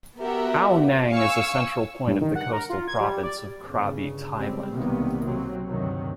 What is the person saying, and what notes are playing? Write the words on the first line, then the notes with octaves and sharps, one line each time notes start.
Ao Nang is a central point of the coastal province of Krabi, Thailand.
B3 F#4 G4 A#4 E5 F#5
F5 G#5 C#6 E6
G2
D#3
F#5
A#4
F4
G#6
G3
D5
G1 C#3
C#2 G3 C4
B1 C3 D#3 G3 A#3 B3
C3 F#3 C4
D2 G2 C3 D#3 F#3